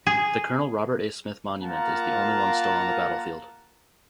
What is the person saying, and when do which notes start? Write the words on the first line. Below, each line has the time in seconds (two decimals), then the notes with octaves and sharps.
The Colonel Robert A. Smith Monument is the only one still on the battlefield.
0.07 G#4
1.62 A#3 F4 A#4 F#5 A5 A#5